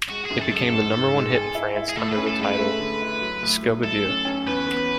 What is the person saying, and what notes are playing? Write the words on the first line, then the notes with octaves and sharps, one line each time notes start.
It became the number one hit in France under the title Scoubidou.
G#3 F#4
G#4
F#2
A4
G#3
A4
G#2
G#2
G#3
G#4
E4
E4
G#4
A2 A4
C#4 B4
A4
G#3
B4
A3
D3
E4
F#3
A2
F#3
E4 A4
C#4
C#4
E2 B4
B3